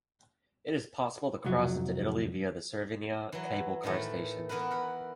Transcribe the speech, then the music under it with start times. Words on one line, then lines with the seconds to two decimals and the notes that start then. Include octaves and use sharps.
It is possible to cross into Italy via the Cervinia cable car station.
1.45 C2 F2 F#3
3.32 E3 F#3
3.83 A2 D#3 E3 A3
4.49 E3 B3 E4 A#4 B4
4.71 A#4 F#5 B5